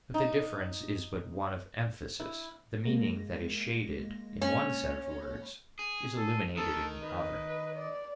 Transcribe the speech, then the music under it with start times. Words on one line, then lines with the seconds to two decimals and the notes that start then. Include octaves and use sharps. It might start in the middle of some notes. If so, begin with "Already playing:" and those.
But the difference is but one of emphasis; the meaning that is shaded in one set of words is illuminated in the other.
0.14 D#4
2.20 E4
2.84 G#3 A#3 A#6
4.42 C#4
5.79 G#4
6.16 A4
6.57 D#3 A4
7.03 B4 D#5
7.75 D5